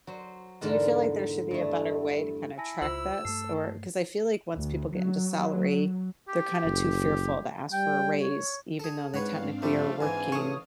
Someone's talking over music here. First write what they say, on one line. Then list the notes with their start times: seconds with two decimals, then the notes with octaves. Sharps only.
Do you feel like there should be a better way to kinda track this, or 'cause I feel like once people get into salary, they're kinda too fearful to ask for a raise even though they technically are working
0.07 F#3 C5
0.61 E2 G#2 D3 A#4 A5
1.51 G2 A3
2.58 E4 G#5 A5 A#6
2.82 C#2 F4 C5 E6 F#7
3.25 G2 A3 A4 C7
4.53 D2
4.94 F#3
6.28 G4
6.65 F#1
7.73 G3 G5
8.21 C#5
8.80 G#4 A4
9.14 G#2 C4 D4 B4 C#5 F5 F#5
9.62 F3 G3 A3
10.01 G#2 E3 G#5
10.32 A1 A4 C#5 D#6